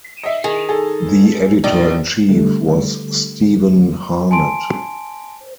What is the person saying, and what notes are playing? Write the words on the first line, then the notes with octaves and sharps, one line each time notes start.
The editor-in-chief was Stevan Harnad.
D#5 E5
D#3 G#4
G#4 A4
A#1 D5 D#5
D3 G3 A3
G#5 A5 C6 D7